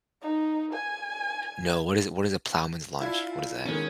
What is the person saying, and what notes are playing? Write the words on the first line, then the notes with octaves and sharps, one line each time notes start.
No, what is what is a ploughman's lunch? What is that?
D#4
G#5
D4 E4 F4
B2 D#3 G#3 C#4